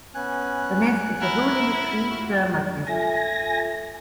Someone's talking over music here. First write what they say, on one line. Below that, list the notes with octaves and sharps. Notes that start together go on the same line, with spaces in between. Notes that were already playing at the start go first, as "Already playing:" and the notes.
The nest is a hole in a tree termite nest.
B3 C#4 G#5 F#6
E4 F#5 A#5 F6
F4 F#4 E6
F4 A4 E5 G#5 A#6